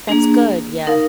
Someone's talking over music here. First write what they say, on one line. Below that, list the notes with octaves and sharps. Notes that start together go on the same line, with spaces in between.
That's good. Yeah.
A#3 D4 G#4
D#4 A#4 F5